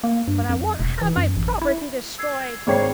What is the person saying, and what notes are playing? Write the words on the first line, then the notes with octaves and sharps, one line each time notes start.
"But I won't have my property destroyed."
A#3
G2
F2
E1
E3
F#2
A1
E4
E6 G#6 C7
G#1 G#4 C5 C#5 G5 C7